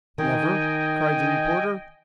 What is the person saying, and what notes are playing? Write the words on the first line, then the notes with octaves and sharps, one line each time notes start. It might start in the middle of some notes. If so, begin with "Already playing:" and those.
"Never?" cried the reporter.
D#3 D#5 G5 G#5